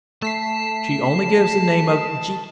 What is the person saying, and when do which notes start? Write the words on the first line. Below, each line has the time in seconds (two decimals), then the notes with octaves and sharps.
She only gives the name of 'G.
0.22 A3 A5 B6 C7